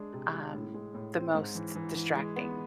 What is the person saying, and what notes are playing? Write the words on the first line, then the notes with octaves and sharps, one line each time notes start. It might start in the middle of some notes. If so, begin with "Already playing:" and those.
um, the most distracting.
Already playing: G#3 D4
C3
G#3
A2
G#3
A2
C4
G#2
E3
E3
E3
G#3
B3